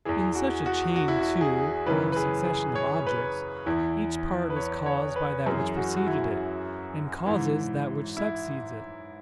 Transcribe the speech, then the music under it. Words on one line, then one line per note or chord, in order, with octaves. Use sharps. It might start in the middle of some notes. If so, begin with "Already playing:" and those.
In such a chain, too, or succession of objects, each part is caused by that which preceded it, and causes that which succeeds it.
E2 E3 G#4
F#4
F#4
F#4
E4
F#4
G#4
F#2 C#3 E3 B4
B4
G#4
G#4
C#5
B4
E2 E3 E4
B4
C#5
C#5
B4
F#2 E3 G#4
F#4
F#4
E4
G#2 E3
E4